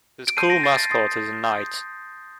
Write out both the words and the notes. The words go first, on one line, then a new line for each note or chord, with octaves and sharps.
The school mascot is a Knight.
D7
A5 C6 G6 C7 D#7
A#6 D7
A6 C7
A6
C6 D#6 G6 A6 C7
C6 D#6 G6